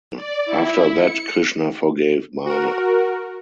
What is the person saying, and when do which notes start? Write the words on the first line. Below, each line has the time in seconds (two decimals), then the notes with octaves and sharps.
After that Krishna forgave Bana.
0.16 D5
0.45 E4
0.94 C#7
2.46 F#4 A#4